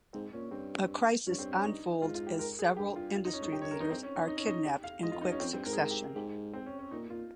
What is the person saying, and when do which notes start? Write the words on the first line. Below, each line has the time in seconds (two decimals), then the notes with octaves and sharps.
A crisis unfolds as several industry leaders are kidnapped in quick succession.
0.13 G#2 C4
0.33 A#2 C#4
0.51 G2 C4
1.27 G2 C#4
1.39 C4
1.52 C#4
1.64 D#4
2.02 G#2 F4
2.15 F4
2.27 G4
2.39 A#4
2.59 G#4
2.77 G2 G4
2.96 F4
3.15 F4
3.25 D#4
3.33 C#4
3.40 G#2 D#4
3.52 G2 G4
3.62 C#5
3.71 A#4
3.80 D#4
3.90 C4
4.03 C#4
4.16 D#4
4.28 D#4
4.37 C#4
4.46 D#4
4.66 G4
4.84 F5
5.03 G#2 D#5
5.12 F4
5.15 F2
5.21 D#4
5.28 G2
5.32 C#4
5.40 F2 C4
5.53 G2 C4
5.66 G#2 A#4
5.73 G#4
5.78 A#4
5.91 G4
6.15 G#2 G4
6.53 C4
6.66 C#4
6.79 C#4
6.91 A#2 D#4
7.09 A#2 F4